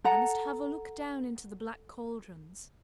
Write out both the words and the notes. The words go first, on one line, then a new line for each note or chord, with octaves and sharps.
"I must have a look down into the black caldrons."
A4 F#5 A#5